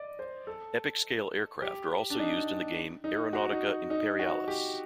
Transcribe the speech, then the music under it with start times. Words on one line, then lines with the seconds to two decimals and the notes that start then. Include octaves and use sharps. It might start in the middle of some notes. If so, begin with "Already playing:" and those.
Epic-scale aircraft are also used in the game "Aeronautica Imperialis".
Already playing: D5 D#5
0.19 C5
0.47 A4
1.62 G4
2.10 D4
2.19 D#4
3.04 D#4
3.33 F#4
3.52 D#4
3.90 D#4
4.19 F#4
4.48 G4